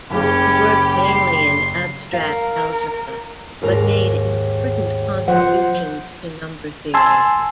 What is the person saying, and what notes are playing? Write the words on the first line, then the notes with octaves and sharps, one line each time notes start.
He worked mainly in abstract algebra, but made important contributions to number theory.
F#1 C#3 C#4 G4 B5
C6
A#4 F5
D#2 G#2 A#4
F3 C5 F#5
G#5 A5 C6 E6